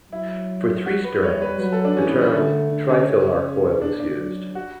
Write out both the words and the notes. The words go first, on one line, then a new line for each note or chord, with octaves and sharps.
For three strands, the term trifilar coil is used.
F#3 E4
F#4
B4
G3 C#5
B4
F#3 B4
A4
D4
E3 C#4
B3
G3
D3 A3
D3
C#4
C#3
B2 D4
D4
F#3
F#4